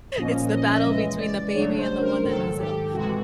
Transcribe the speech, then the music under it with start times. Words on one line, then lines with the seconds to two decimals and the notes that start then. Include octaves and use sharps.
It's the battle between the baby and the one that knows it all.
0.16 A#2 F3 A#3 C#4 D#5
0.52 D#5
0.68 E5
0.85 C#3 E3 G#3 D#5
1.20 D5
1.55 C#3 F#3 A3 D4 C#5
1.78 C5
2.01 A#4
2.24 G#2 D#3 F#3 A4
2.59 G4
2.94 C3 E3 G#3 F#4